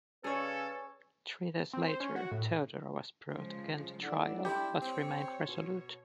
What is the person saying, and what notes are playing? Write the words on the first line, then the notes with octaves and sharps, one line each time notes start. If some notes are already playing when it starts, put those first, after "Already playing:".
Three days later, Theodora was brought again to trial, but remained resolute.
C#3 C#4 G#4 A4 B4 C#5
C4
C5
C#4
F#4
A2
C#3 F3 G#3
G3 G#3 D4 E4 A4 F#5
E4 G4 C6
C4 C#5
B2